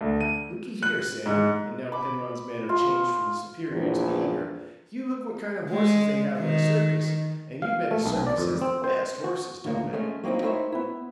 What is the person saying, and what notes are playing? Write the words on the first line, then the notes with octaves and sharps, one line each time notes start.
Looky here, Sam"--and now Penrod's manner changed from the superior to the eager--"you look what kind of horses they have in a circus, and you bet a circus has the BEST horses, don't it?
D2
D#7
F#6
G#2
B5 D6
F4
A#1 E2
G#3
D#3
F5
A3
B1
D5
F2
C4
C5
F#4
D2 A#2 A#3
G#3 A3 C#4
F#3 A#3 C4 D#4 E4
D#4 E4 A#4 C5 C#5 E5
B3 E4